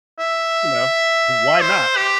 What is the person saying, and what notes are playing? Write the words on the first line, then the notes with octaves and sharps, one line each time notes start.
you know, why not?
E5
C5
G4